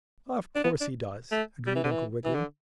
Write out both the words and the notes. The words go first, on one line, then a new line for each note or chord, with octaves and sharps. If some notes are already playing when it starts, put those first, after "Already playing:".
"Of course he does," agreed Uncle Wiggily.
D4
B3
D4
A3
G3
E3
D3
E3
E3
D3